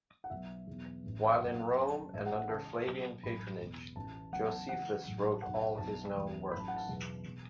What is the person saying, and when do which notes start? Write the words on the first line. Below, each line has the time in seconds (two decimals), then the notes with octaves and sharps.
While in Rome and under Flavian patronage, Josephus wrote all of his known works.
0.24 F#5
0.30 B1 B2 F#3 E5
0.67 E2 B2 F#3
1.04 A1 A2 E3
1.34 E5
1.40 B1 B2 F#3 F#5
1.77 F#1 F#2 F#3 A5
2.13 A1 A2 E3 E5
2.26 F#5
2.32 E5
2.38 F#5
2.49 C#2 C#3 E3 A5
2.86 C#2 B2 F#3
3.23 A1 A2 F#3 B5
3.59 E1 E2 B2
3.96 A1 A2 E3 A5
4.33 E2 C#3 F#3 F#5
4.51 A5
4.69 C#2 C#3 E3 F#5
5.06 A1 A2 F#3
5.31 A5
5.42 B1 B2 F#3 F#5
5.55 E5
5.78 B1 B2 F#3 A5
6.14 E1 E2 E3
6.51 A1 A2 F#3 B5
6.60 A5
6.68 F#5
6.76 A5
6.88 E2 B2 F#3
7.24 E1 B2